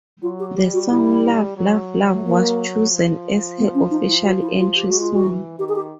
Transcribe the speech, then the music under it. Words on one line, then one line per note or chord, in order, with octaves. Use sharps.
The song "Love Love Love" was chosen as her official entry song.
F#3 F4
G4
G3 G4
F#4
E4
F#3
A3
A#3
F3
B3
C#4
D#4
E4
F#4
E4
F4
G4
G#3 F#4
F4
F#4
E3
D#3 G4
G#4
G4